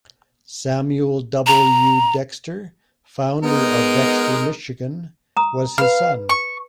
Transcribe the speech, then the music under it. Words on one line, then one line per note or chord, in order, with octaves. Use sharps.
Samuel W. Dexter, founder of Dexter, Michigan, was his son.
A#5
G#3 B3 D#4 A#4
A#5 D#6
B4 F5 B5
C#6